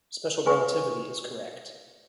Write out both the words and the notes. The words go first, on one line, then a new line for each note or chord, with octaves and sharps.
Special relativity is correct.
G#4 B4 G#5 C#6